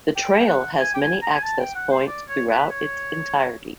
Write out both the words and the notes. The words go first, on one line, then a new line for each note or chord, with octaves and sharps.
The trail has many access points throughout its entirety.
G5
G5
F#5
G#5
G5
G#5
A#5
G#5
A5
G5
F#5
C5
D5
C#5
B4
C#5